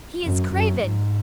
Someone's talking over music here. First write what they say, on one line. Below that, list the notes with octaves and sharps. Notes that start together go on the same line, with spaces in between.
He is craven!
F#2
F#2
G#2